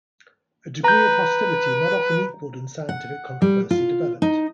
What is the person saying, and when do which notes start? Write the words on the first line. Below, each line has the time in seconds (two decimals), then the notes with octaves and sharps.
A degree of hostility not often equaled in scientific controversy developed.
0.84 B4 A#5 G6
2.89 F#5
3.42 G3
3.71 F4
4.22 D#4